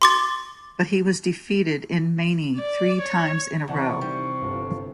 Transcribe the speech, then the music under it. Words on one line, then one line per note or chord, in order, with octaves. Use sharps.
But he was defeated in Mani three times in a row.
C6 D6 A6
D5
C#5
E2 C3 D5 F#5 A5 C#6
D#3 G3
G1 F4 A4